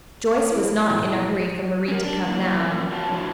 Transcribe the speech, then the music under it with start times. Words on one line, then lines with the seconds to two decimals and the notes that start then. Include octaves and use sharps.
Joyce was not in a hurry for Marie to come now.
0.49 E4
0.90 B1 A2
1.88 C#4 A#4
2.03 D4
2.26 F3 F#3 A#3 E4
2.57 E3 F3 A#3 C4 C#4 F4
2.92 F#4 C#5 A5
3.11 F3 D4 E4 F#4 C5